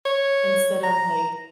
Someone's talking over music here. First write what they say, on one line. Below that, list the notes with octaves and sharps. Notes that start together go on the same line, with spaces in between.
Instead of like,
C#5
A#5